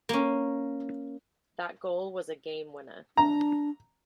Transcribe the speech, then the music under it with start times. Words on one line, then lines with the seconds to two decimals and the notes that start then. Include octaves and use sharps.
That goal was a game-winner.
0.09 A#3 C#4
3.17 D4 A#5